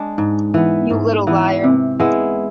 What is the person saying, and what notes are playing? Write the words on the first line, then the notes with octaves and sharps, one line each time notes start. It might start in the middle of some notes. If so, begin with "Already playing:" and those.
You little liar!
Already playing: G#3 D4
G#2
E3 B3
G#2
E3 B3
C3
G#3 B3 E4